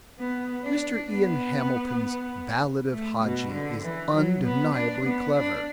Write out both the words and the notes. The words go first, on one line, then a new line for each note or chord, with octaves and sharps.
Mr. Ian Hamilton's Ballad of Hadji is undeniably clever.
B3
D4
B3
A3
B2
D3
E3
F#3
B3
D4
B3
D4